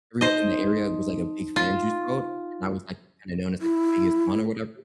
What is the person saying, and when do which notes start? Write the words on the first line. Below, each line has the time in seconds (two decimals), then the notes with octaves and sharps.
everyone in the area was like a big fan of Juice WRLD and I was like kind of known as like the biggest one or whatever,
0.21 D#4 C5 D#5
1.56 F4
3.61 E4